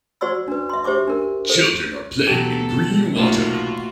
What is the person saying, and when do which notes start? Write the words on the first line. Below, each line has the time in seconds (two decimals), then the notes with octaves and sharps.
Children are playing in green water.
0.21 F#4 C5 D5 C6 C#6 E6
0.48 D4 B4
0.70 E5 C6
0.84 G4 C5 E5 C#6 D6
1.08 D4 A#4
1.49 A4 C5
2.27 B2 E3 F#3 B3 G4 A4
3.16 B1 A2 C3 A3 A#3 F4 F#4